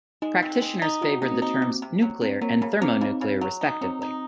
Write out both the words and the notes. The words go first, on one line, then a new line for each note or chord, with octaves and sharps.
Practitioners favored the terms nuclear and thermonuclear, respectively.
G#3 D#4
C4
G#3
D#4
C3 F4
F#4
A#3 D#4
C4
C4 D#4
C3
C3
F#3
C3 C4
F#3 A#3
C#3 A#3
A#3 C4
C#3 D#4
C#3
F#3
D#4
F#3 C4
D#4